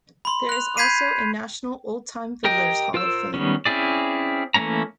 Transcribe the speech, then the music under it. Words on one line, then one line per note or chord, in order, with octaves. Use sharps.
There is also a National Oldtime Fiddlers' Hall of Fame.
B5 C6
F#6 F7
B5 G6 G#6 B6 C7 D#7
G4 A#4 D#5 G5
F4 A#4 C5 E6
D#3 G3 B3 C#4
C4 C#4 E4 G#4 D5
E3 A3 A#3 C#4 A#5